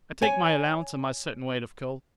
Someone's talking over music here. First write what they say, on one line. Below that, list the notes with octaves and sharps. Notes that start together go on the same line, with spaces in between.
I take my allowance and my certain weight of coals.
C#5 G#5